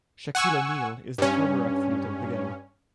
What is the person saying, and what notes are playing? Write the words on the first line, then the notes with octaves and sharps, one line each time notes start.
Shaquille O'Neal is the cover athlete of the game.
F#5 G#5 C#6 E6
G2 C#4